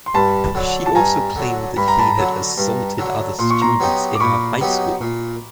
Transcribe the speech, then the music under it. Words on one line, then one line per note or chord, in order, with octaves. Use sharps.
She also claimed that he had assaulted other students in her high school.
C6
G2 A5 B5
D3 F#3
A5
G2 G#5 A#5
D3 F#3
G2 B5
A#5
A5 B5
D3 F#3
G2
D3 F#3
A#2 C6
C#6
A#5 C6
F#3 B3 D#4 G4
D6
A#2 B5 C#6
F#3 B3 D#4 G4
A#2